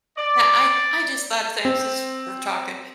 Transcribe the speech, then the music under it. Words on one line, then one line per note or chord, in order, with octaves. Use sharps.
Yeah, I I just thought of things since we're talking
D5
C4